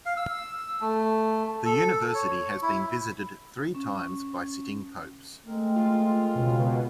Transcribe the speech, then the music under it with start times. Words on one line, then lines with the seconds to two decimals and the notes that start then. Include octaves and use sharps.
The university has been visited three times by sitting popes.
0.06 F5
0.17 E6
0.81 A3
1.65 A4
2.14 C#5
2.62 E4
3.75 C#4
5.46 G#3 A3 C4 A#4
5.76 F4
6.35 C#2 B2